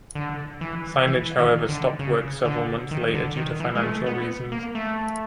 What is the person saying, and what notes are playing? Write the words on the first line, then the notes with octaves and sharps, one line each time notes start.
Cinege however stopped work several months later due to financial reasons.
D3
E3
E3
D#3
D3
C#3
D3
D#3
D3
D#3
E3
G#3
A3
B3
A#3
A3